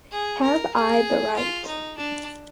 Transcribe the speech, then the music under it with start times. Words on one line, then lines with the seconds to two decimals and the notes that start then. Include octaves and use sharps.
Have I the Right?
0.11 G#4
0.42 A#4
0.74 G#4
1.36 F4
1.66 D#4
1.97 D4